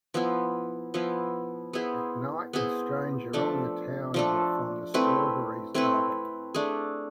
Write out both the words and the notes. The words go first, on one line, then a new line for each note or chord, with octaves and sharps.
"Ignite" and "Stranger on the Town" were from the "Strawberries" album.
F3 B3 E4
F3 B3 E4
B3 E4 G#4 C5
B3 E4 G#4 C5
F3 A3 D4 A4
F3 A3 D4 A4
A3 C4 E4 B4
A3 C4 E4 B4
A3 D4 G#4